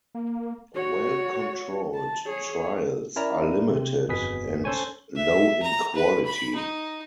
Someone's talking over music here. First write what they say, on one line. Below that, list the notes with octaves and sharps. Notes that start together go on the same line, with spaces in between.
Well-controlled trials are limited and low in quality.
A#3
F#4 C#5
A5
G#4 C#5
C#4 E4 A#4 D5 A#5
C3
G1 F2 B2 G#4 B4 B6
C#4 A4 C5 C#5 G#5 C#6
E5
A#5
B4
B5
D#4